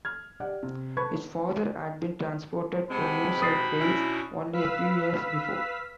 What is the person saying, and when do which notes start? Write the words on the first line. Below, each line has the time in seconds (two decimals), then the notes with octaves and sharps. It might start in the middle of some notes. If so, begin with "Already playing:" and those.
His father had been transported to New South Wales only a few years before.
0.05 F6 G#6
0.40 G4 D5 F#5
0.63 C3
0.97 B4 A5 B5 C#6 G#6
2.91 C3 G#3 C4 F#5 G#5 A5 B5
3.42 B2 D#4 F#4 D#6 A6 C7
3.80 C#4 D4 E4
4.53 B4 F5 E6 B6